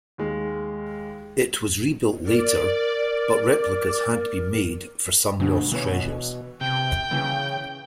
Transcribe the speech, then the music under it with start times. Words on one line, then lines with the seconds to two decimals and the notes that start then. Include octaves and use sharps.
It was rebuilt later, but replicas had to be made for some lost treasures.
0.18 D#2 G#3
2.26 A#4 D5
5.40 D2 G2 B2 D3
5.72 B2 E3 B4 C#5
6.61 C3 G5
7.11 C#3 E3